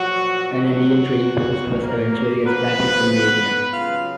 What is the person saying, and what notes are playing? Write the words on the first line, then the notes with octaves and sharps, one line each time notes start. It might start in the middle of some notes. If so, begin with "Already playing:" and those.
An Indian trading post was eventually established in the area.
Already playing: A#2 F3 F#3 F#4
F#3 F#4
A#2 F#3
A#3 A#4
C#3 F3 B3 B4
C#3 F#3 F4 F5